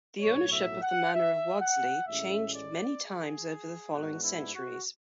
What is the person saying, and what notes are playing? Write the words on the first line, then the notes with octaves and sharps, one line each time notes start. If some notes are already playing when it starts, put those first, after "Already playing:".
The ownership of the manor of Wadsley changed many times over the following centuries.
B1 A2 F#3 C#5
E5
F#5
E5
F#5
A1 A2 G#3 C#4 E5
D5
G#4
G#2 G#3 B3 D4 F#4
E4
F#4